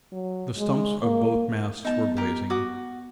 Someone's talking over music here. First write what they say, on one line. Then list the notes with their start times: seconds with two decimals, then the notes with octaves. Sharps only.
The stumps of both masts were blazing.
0.12 F#3
0.58 G#3
1.02 A#3
1.85 B3 D#4 A5
2.17 G4 A#4
2.50 F#4 D6 D#6